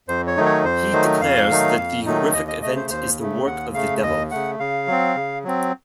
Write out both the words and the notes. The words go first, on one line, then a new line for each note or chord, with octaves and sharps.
He declares that the horrific event is the work of the devil.
F2 C5
C#5
D#3 F#3 A3 D#4
C#5
F2 C5
D#3 F#3 A3 D#4
F2 F5
D#3 F#3 A3 D#4
F2
D#3 F#3 A3 D#4
D#2 D#5
D#5
C#3 A3 D#5
C5
D#2 C5
C#3 A3
D#2 F#5
C#3 A3 F5
D#2 D#5
C#3 A3 F#5
C#3 F5
F#3 C4
C#3
F#3 C4